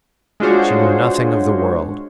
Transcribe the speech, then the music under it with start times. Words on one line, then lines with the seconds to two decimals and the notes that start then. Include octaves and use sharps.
She knew nothing of the world.
0.40 G#3 D4 F4 F#4 C5 C#5